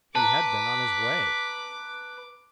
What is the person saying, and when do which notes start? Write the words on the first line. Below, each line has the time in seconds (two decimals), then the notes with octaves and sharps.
He had been on his way.
0.15 B4 A5 A#5 D6